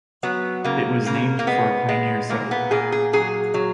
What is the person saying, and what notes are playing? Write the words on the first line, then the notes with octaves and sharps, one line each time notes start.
It was named for a pioneer settler.
F#3 B3
C#3 A#3
C#3 A#3
A#3
G#3 B3
G#3
A#2 A#3
B3
A#2 G#4
G#4
F#3 G#4
F#3